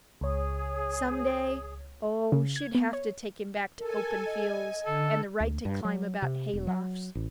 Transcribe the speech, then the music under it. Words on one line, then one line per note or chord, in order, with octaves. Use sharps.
Some day--oh, she'd have to take him back to open fields and the right to climb about hay-lofts.
C#2 G#4 C#5
C#3
G#6
B3
C#5
A4 A#4 G#5
D#5 G#5
D3 A4
D2
G2
F#3
C3
E1
F#3
A1